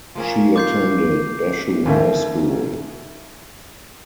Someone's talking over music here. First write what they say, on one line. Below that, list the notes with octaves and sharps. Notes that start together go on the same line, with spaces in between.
She attended Bashu High School.
F3 A#3 C#4
F4 D6 G6 C7
D#2 G#2 C#3 A3 A#3